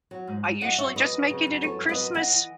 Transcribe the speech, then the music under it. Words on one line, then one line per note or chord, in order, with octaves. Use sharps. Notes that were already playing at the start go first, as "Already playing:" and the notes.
I usually just make it it at Christmas.
F#3
G#2
G#2
F#2 D#5 F#5
F#2 C#5 E5
F#2 B4 D#5
F#2
C#3
F#2
E3 A4 C#5
F#2
B4 D#5
F#2
E3 D#5 F#5
E3